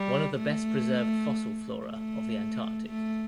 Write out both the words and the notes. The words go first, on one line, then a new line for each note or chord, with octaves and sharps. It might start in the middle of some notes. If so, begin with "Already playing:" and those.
One of the best preserved fossil flora of the Antarctic.
Already playing: G3
A3
A3
A3